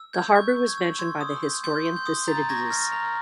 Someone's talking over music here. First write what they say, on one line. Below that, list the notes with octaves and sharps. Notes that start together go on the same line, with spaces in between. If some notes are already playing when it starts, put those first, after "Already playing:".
The harbour was mentioned by the historian Thucydides.
Already playing: E6
G6 G#6
C#6 G6
C#6
G#6
E6
C6 G#6
D#6
G6
C6 G6
C6
G6
D#6
A#5 G6 A6
C#6 G#6 A#6
F6
A#5